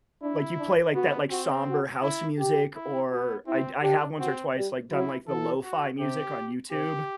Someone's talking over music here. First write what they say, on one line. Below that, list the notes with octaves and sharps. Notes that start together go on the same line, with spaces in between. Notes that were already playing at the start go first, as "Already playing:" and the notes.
like, you play, like, that, like, somber house music or I'd I have once or twice, like, done, like, the lo-fi music on YouTube.
D4 E4
D4
B3 F#4
C4 F#4
F#4
E4
G4
E4
B3 F#4
C4 E4
D4 G4
C4 F#4
G3
F#3 E4
E3 A4
F#4
C3 G4
C3 G4